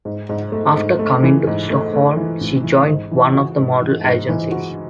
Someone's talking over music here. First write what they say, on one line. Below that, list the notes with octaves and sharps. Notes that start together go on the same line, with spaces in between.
After coming to Stockholm she joined one of the model agencies.
G#2
G#2
A3
G#2
A3
E3
G#2
A3
A3
E3
A1
E3
G#2
E3
F#4
G#2
E3
G#2
E3
F#4